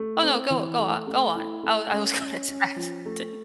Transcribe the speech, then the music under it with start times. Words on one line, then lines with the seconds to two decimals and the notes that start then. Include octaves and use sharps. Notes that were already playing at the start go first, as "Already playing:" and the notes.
Oh no, go go o go on. I was I was going to ask something.
Already playing: A3
0.22 C4
0.50 E3
0.79 A3
1.07 A3
1.36 E4
1.63 A3
1.92 C#4
2.20 C#4
2.48 C#4
2.76 F3
3.06 A3